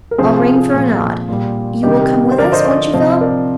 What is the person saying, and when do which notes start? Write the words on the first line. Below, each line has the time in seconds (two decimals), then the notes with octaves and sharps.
I'll ring for Arnaud. You will come with us, won't you, Philip?'
0.11 A#4
0.18 C3 F3 G#4 C5
0.37 F4 G#4
0.55 F4 G#4
0.73 A#2 F3
1.29 A#2 G3
1.83 C3 D#3 G3 D#4 G4
2.01 G4 A#4
2.31 C5
2.38 D3 F3 A#4 D5
2.52 C5 D#5
2.60 D5
2.65 C5 D#5
2.93 C3 F3 C5 D#5
3.21 A#4 D5